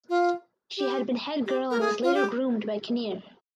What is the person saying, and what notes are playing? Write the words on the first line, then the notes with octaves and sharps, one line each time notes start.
She had been head girl and was later groomed by Kinnear.
F4
G4
G4
A#4
G#4
F4
G4